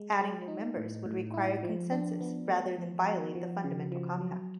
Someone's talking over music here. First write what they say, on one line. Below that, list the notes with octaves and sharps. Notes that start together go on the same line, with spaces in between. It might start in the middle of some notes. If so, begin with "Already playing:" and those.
Adding new members would require consensus rather than violate the fundamental compact.
Already playing: G#3
G#3
D#4
A2
A2
E4
F3
D4
B3
A3
F3
F#4
F3
C#3
F3
F#3